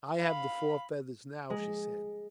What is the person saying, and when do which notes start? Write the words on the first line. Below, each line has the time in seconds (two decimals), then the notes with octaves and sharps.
"I have the four feathers now," she said.
0.19 F5 B5
1.50 G#3